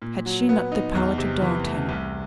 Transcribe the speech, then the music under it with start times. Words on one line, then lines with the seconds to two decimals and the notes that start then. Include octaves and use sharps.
Had she not the power to daunt him?
0.02 A#2
0.26 F#3
0.49 B3
0.72 D#4
0.95 E2
1.18 C3
1.41 E3
1.65 A3
1.89 C2